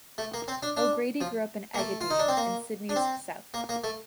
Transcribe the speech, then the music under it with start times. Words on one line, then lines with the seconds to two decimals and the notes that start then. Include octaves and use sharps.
O'Grady grew up in Engadine, in Sydney's south.
0.18 A3
0.34 A#3
0.48 C4
0.63 D4
0.77 D4
1.21 F3
1.74 A#3
1.79 A3
2.01 F4
2.10 D#4
2.19 D4
2.28 C4
2.37 A#3
2.89 D4
2.96 C4
3.54 A#3
3.69 A#3
3.84 A3